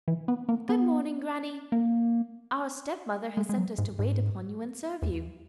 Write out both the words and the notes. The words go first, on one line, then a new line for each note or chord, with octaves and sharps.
'Good-morning, granny; our step-mother has sent us to wait upon you, and serve you.'
E3
B3
A#3
B3
A#3
G#3
G#3
F#3
G#2
G#2
E2